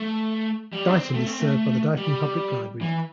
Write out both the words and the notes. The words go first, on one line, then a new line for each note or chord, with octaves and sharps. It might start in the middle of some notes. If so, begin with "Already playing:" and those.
Dighton is served by the Dighton Public Library.
Already playing: A3
G3
D4
C4
A3
C4
A3
G3
E3